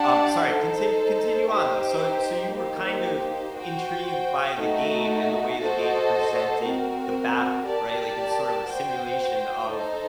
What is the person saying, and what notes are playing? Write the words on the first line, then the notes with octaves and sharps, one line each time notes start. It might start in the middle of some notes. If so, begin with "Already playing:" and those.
Um, sorry, continu continue on, though. So so you were kind of intrigued by the game and the way the game presented the battle, right? Like, it was sort of a simulation of
Already playing: D4 G4 D5 F#5 A5
D#4 A4 C5
D#4 G4 C5 G5
A#3 D#4 G4 C5
F#4 C5 G5
A3 D#4 F#4
F#4 A4 C5 D#5
C4 F#4 A#4
G4 A#4 D5 A5
F#4 C5 G5
D#4 A4 C5